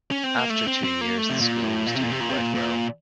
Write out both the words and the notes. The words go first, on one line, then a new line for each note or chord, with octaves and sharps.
After two years the school was doing quite well.
C#4
C4
A#3
A3
C4
C4
A#3
A3
C3
A#2
A2
A#2
C3
A#2
C3
A#2
C3
A#2
A#2